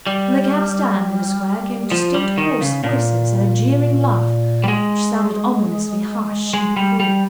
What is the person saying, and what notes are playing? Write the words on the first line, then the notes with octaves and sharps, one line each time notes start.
From the cab-stand in the square came distinct hoarse voices and a jeering laugh which sounded ominously harsh and cruel.
G3
F3
G3
D#3
C#3
A#2
G3
G#3
G#3
G3
G3